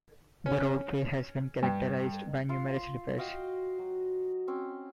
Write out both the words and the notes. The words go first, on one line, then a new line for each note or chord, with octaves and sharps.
The roadway has been characterized by numerous repairs.
C#4
G2
F4 F5 C6 E6
F#4 D#5 F5 G5
F#3
C4 C#4